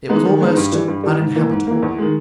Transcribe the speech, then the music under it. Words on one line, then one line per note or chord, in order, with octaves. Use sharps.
It was almost uninhabitable.
G#3 B3 D#4
D#3
G#3 B3 D#4
G2
E3 G3
G2
E3 G3
G#2
E3 A#3
G#2
E3 A#3
E2
D#3 G#3